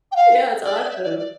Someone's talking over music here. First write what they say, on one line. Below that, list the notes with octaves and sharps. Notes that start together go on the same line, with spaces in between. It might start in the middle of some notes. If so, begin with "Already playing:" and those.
Yeah, it's awesome.
G5
F5
D5
E5
D5
E5
D5
D5